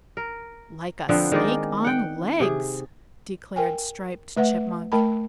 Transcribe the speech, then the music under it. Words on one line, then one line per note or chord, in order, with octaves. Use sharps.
"Like a snake on legs," declared Striped Chipmunk.
A#4
D3 F3 B3 C4
D#3 G#3 D#4 D5
F#5 G5
C3 G#4
A#4 G5 G#5
A3 B4 E5 F#5
A3 A#4 G5 A5 B5